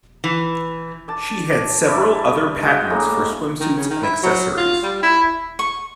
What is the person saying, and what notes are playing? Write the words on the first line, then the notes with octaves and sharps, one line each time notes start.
She had several other patents for swimsuits and accessories.
E3
D5 A5
G2 E4 D5
G#3 F#4 F5 G5
A2 G#3 A#3
D#3
C#3
D#3
E4
F#3
F4
G3
E4
C#6